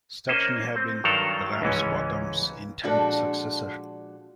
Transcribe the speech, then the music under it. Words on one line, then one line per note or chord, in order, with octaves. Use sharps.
Stubbs may have been Ramsbottom's intended successor.
A#3 C#4 C5 D#5
C4
G2 D#3 F#3 A4 A#4 F5
C#2 G#2 E3 C#4
A#2 F3 G#3 D4 F#4 A4